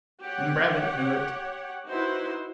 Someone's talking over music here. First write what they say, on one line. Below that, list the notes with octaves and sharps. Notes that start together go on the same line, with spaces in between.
And Braham knew it.
G4 C#5 F#5
D#4 E4 F#4 B4 C5